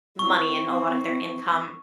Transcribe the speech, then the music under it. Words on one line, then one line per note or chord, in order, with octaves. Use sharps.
money and a lot of their income.
C4 E4 C#6